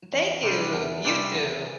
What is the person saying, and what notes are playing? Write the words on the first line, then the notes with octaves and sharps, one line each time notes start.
Thank you. You too.
E2
C3 G3 D4
E2
C3 G3 D4
E2